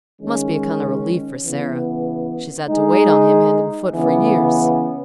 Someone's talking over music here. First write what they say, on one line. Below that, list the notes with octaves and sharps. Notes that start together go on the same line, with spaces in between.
Must be a kind of relief for Sara--she's had to wait on him, hand and foot, for years.
D#3 G#3 C#4
C#3 E3 B3
G#3 D#4 G#4
C#3 E3 B3